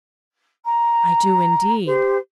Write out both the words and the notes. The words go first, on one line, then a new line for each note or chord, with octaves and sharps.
"I do, indeed."
A#5
G4 C5